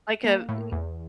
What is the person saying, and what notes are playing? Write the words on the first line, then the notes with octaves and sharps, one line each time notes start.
Like a b
A#3
A2
E2